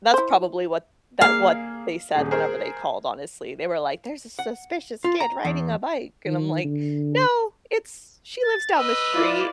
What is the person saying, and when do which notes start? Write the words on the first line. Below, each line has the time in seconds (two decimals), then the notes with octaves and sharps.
That's probably what that what they said whenever they called, honestly, they were like, "There's a suspicious kid riding a bike," and I'm like, "No, it's she lives down the street,
0.14 E4 C5
1.21 A#3 G#4 F5
2.15 D#1 G#4
2.31 G#4 A#4 C5
4.39 F#5
5.04 F4
5.20 A#5
5.45 E2
6.26 D#3
6.64 D3
8.43 A6
8.77 B4 D#5 E6
9.14 E4 F4 D5